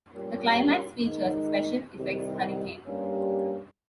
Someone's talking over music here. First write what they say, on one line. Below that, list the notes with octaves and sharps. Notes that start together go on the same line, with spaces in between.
The climax features a special effects hurricane.
A#2 G3 C#4 G4 A#4
G#2 D#3 G#3 D#4
C2 C3 D#3 G3
G2 G3 A#3 C#4 G4